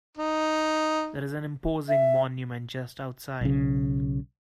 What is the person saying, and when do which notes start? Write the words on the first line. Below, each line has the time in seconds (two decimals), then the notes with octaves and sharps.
There is an imposing monument just outside.
0.18 D#4
1.89 E5
3.41 B1 C#3